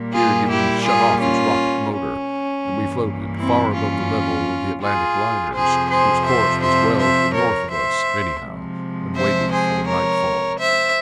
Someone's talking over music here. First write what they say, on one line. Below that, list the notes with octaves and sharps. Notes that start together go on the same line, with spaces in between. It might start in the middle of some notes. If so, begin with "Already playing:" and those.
Here Gibbons shut off his rocket motor, and we floated, far above the level of the Atlantic liners, whose course was well to the north of us anyhow, and waited for nightfall.
Already playing: A#2 G3 A#3
F4 G#4
E4 G4
F4 G#4
C#4 F4
C#4
G2 E3 A#3
C4 E4
C#4 F4
F4 G#4
F2 C3 F3 G#4 C5
G#4 C5
C5 E5
C5 E5
C5 E5
A#4 C#5
C5 E5
C3 F3 G#3
C5 E5
G#4 C5
A#4 C#5
C5 E5